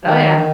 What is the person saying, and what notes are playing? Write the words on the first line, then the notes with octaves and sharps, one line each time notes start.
Oh, yeah.
D#3
D#3